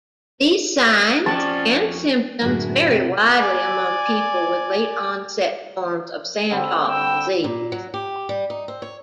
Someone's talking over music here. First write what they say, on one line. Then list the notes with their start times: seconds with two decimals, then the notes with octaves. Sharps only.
These signs and symptoms vary widely among people with late-onset forms of Sandhoff disease.
1.26 F2 F3 C#4 G4 D5 F#5 A5 C#6
2.42 F#2 A2 D3 E4 F#4 G#4
2.90 C3 G4
3.35 D5 G#5
6.51 D3 G3 C4
6.88 G5 E6
7.44 A#2
7.72 F#3
7.94 G4
8.29 G3
8.50 D#4
8.68 C4
8.82 C#5